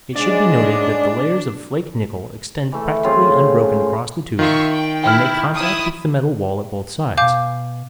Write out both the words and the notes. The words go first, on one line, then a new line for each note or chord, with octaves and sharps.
It should be noted that the layers of flake nickel extend practically unbroken across the tube and make contact with the metal wall at both sides.
G#2 C#3 G#3 D4 D5
E3 A3
F#2 C#3 C4 F4
D#3 F4 E5 C#6
G5
E4 G5 F6
E4 D#6
B2 F5 G#5 D6 G6